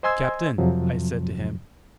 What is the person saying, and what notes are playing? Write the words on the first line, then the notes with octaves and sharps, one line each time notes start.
"Captain!" I said to him.
C5 D#5 G#5 C6 E6 G#6
F2 C3 F3 F#3